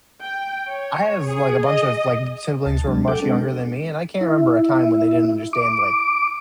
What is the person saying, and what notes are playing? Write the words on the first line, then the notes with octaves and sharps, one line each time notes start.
I have, like, a bunch of, like, siblings who are much younger than me, and I can't remember a time when they didn't understand, like,
G5
C#5
G#4
D#5
D2 A5
F#3 G#3 D4
A4 F#5 G5 D6
G#3 C4 D4 A4
E4
D6